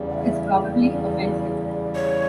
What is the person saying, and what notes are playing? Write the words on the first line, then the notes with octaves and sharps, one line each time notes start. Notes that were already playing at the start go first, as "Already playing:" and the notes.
It's probably offensive.
Already playing: E2 C#3 G3
F#5
E5
C#5